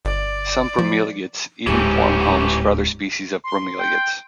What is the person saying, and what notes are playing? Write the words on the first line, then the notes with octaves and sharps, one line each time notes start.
Some bromeliads even form homes for other species of bromeliads.
G1 D5
F3
D1 G#2 E3 C#4 G4
C6
G5